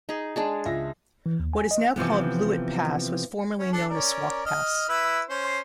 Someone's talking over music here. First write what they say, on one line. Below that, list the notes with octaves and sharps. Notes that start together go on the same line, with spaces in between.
What is now called Blewett Pass was formerly known as Swauk Pass.
D#4 G#4
G#3 D4 G#4
C#2 E5 A#6
E3
D#2
G#5
D#5
C3 E3 F3 B3
C#4
D4 A4
C#4 A#4 D5
D#5 F6
E4 B4 E6
C#4 C5 C6